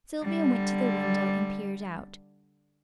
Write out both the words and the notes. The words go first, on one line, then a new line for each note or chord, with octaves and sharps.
Sylvia went to the window and peered out.
D3 G3